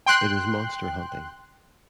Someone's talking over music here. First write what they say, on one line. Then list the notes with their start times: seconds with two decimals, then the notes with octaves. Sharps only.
It is monster hunting.
0.06 G5 C6 F#6